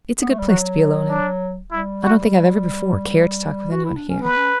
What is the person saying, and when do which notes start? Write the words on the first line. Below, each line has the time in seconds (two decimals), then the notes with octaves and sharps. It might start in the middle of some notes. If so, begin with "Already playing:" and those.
"It's a good place to be alone in--I don't think I've ever before cared to talk with any one here."
0.21 B3
0.30 A3
0.39 G3
0.47 F#3 F#4
1.09 D4
1.72 G3 E4
2.04 F#4
3.71 F#4
3.84 E4
3.96 D4
4.09 C#4
4.21 B3 B4
4.37 C#4